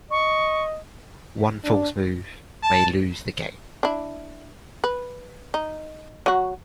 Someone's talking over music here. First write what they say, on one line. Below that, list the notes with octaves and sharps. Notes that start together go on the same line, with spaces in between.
One false move may lose the game.
D#5 C#6
D4
A5
D4 E4
B4
D#4
F#3 F#4